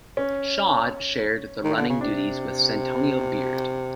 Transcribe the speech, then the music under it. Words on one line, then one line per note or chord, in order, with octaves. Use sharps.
Shaud shared the running duties with Santonio Beard.
C#4
D#3
D3
C#3
C3 D4